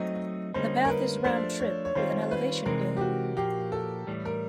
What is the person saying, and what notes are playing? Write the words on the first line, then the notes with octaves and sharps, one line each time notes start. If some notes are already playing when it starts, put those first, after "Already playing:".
The path is round trip, with a elevation gain.
Already playing: F#3 A3 C4 D#4 D#5
D3 G3 A#3 C#4 C5
A#4
B4
F3 A3 D4 C5
C#5
C#5
D#3 G3 C4 F4 C5
B4
C3 E3 G#3 C4 D#4 A#4
G4
F#4
A#2 F3 A#3 G4
A4
A2 E3 G3
A#4